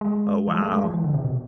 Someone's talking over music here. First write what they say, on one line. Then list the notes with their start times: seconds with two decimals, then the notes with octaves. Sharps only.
Oh, wow.
0.01 G#3
0.48 F3
0.55 G#3
0.62 A3
0.73 G#3
0.84 F3
0.94 E3
1.04 D3
1.14 C3
1.25 B2